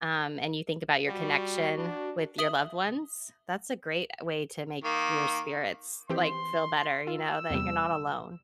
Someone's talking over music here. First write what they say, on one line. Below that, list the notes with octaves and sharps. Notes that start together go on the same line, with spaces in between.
um, and you think about your connection with your loved ones. That's a great way to make your spirits, like, feel better, you know, that you're not alone.
G3 F#4
D4
E5 D#6 F#7 G7
D#3 A#3
E3 C4 G4 C6
F4 E6
E2 C3 G3